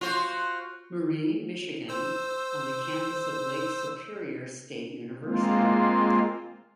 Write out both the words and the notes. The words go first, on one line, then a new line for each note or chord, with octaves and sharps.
Marie, Michigan on the campus of Lake Superior State University.
F4 F#4 C5
C5 E6
G#3 A#3 C4 F4